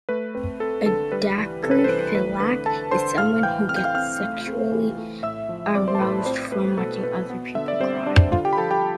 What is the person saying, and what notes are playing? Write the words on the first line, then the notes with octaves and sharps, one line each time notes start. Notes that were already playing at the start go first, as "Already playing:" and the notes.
A dacryphiliac is someone who gets sexually aroused from watching other people cry.
A3 B4
C4 B4
C4 A4
D3 A4
G3 B4
E3
C3 A4
B4
A4
C5
E3 B4
A3 B4
D3 B4
D3 A4 A5
D3 C5 C6
A2 F5 F6
E3 G5 G6
C4 F6
G6
F5 F6
C4 F5 F6
A3
C4
E3
A3
A2 E5 E6
F3
C4 D5 D6
C5 C6
A5
A2 B4 B5
C4 C5
A3 B4
B2 A4
B2 B4
B3
D3 E5
D5
G3 C4 C5
G3 D4 D5
D3 F4 F5
G4 G5
B5
F3 A4 A5
G4 G5